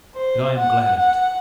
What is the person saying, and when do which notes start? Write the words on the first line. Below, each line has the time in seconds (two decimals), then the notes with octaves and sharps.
But I am glad of it.
0.15 C5
0.58 F#5
0.99 F#5